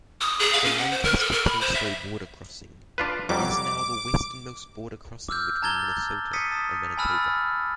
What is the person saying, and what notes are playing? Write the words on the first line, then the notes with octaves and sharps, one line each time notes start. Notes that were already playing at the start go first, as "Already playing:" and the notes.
The Lancaster–Tolstoi Border Crossing is now the westernmost border crossing between Minnesota and Manitoba.
D#6
G#4
F5
C#4
F#5
C5
A#4
A4
A#4
B5
C5
E5
D4 F4 B4
F2 F#3 G3 D6
D6 E6 F6 G6
A5 A#5 G#6 A6 G7
D#6 A6 B6 C#7 D#7
A5
G#5 A5 B5 E6 F6 A6